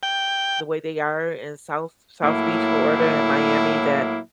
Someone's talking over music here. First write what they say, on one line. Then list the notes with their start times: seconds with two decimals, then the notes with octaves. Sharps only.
the way they are in South South Beach, Florida, and Miami, that
0.03 G5
2.24 A2 F#3 A#3 E4